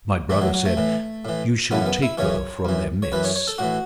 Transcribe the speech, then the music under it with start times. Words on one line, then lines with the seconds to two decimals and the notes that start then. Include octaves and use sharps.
My brother said, 'You shall take her from their midst.
0.30 A2 E3 A3
0.41 F#3
0.54 F#3
0.65 A3
0.77 A2 E3
1.25 A2 E3
1.71 F#2 C#3 E3 B3
1.86 B3
2.02 E4
2.18 F#2 C#3 E3 C#5
2.65 F#2 E3
3.02 C#5
3.12 F#2 E3 B4
3.24 C#5
3.36 C#5
3.48 A4
3.58 A2 E3 F#4